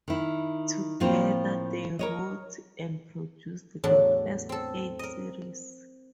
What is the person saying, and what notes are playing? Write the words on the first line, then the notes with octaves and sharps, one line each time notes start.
Together, they wrote and produced the first eight series.
D#3 E4
A2 F3 A#3 C4 F4
A#4 C#5 D#5
E2 A2 F#3 D4 A5
C4 A4
A#4 D#5